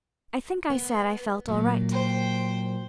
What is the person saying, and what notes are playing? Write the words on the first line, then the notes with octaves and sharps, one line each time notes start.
I think I said I felt all right.
B3
A#2 F#3 A#3
C5 G5